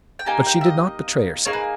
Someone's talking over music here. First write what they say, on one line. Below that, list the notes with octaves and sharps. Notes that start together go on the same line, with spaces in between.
But she did not betray herself.
G5
A#3 D#4 G4 G#5
G5
E5
D#5
A#3 D#4 G#4 C#5
B4